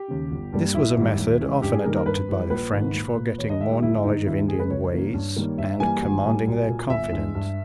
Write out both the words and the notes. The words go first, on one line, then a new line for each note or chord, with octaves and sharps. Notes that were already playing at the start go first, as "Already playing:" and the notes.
This was a method often adopted by the French for getting more knowledge of Indian ways and commanding their confidence.
Already playing: G4
D#2 C#3
G1
G2 G3 A#3
A#1 E4
G#2 D#3 G3
D#2
C#3 E3 G#3
G2 G4
G#4
D#3 G3 A#3 A#4
A#4
G2 B4
E3 G3
A#1 B4
G#2 D#3
A#1
A#2 A#3
D#2 C#5
D#5
D#3 G#3 E5
G4
G1 E4
G2 D#3 D#4
D#2 E4
C#3 G#3 G#4
B4
C#2 C#5
C#3 E3 A#3
G2
D#3 G3 A#3
G2 E5
E3 G3 A#3 G#5
G#1
G#2 G3 A#3
B1
A#2 A#3
G1 E5
G2 E3 G#3
G2